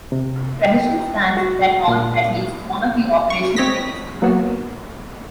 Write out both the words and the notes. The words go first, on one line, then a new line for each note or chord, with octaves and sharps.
Tradition stands that on at least one of the operational days it will rain.
C3
G5
F#4
A#2
C#6
C4 C#5 D#5 A#6 B6
F#3 A#3 B3 F#4